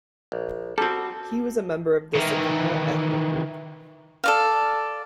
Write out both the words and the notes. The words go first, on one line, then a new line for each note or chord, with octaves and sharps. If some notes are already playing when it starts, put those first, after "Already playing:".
He was a member of the Nzakara ethnic group.
A#1
G3 C4 F#4 A4
D#3 E3
A4 D5 F5